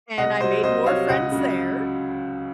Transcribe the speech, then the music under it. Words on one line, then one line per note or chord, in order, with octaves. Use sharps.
And I made more friends there.
C2 D#5 F#5
C3 F#3 C5 D#5
C2 C5 D#5
C3 F#3 C#5 F5
C#2 D#5 F#5
C#3 F#3